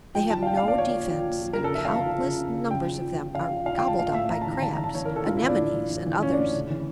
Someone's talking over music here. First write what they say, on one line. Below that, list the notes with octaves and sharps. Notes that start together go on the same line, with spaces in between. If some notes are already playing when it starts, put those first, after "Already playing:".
They have no defence, and countless numbers of them are gobbled up by crabs, anemones, and others.
F3 G5
F3 A5
F5
F3 G5
F5
A#2
D5
F3 C#5
A#2
F3
A#2
F3
A#4
C#3
A4
F3 E5
F3 F5
A5
F3
C#3
C#3
C#3
C#3 G5
F3
F3
F3
C#3 F5
F3
F3 F5
G5
F3 A5
A2 F5
A2 E5
A2 A#5
A5
E3
A#5
E3 A5
A#5
E3
A5
E3 C#5
A#4
E3
A4
A2 F4
E4
E3
D4
A2
E3
E3
E3
A2 C#4
D4
A2
C#3
E3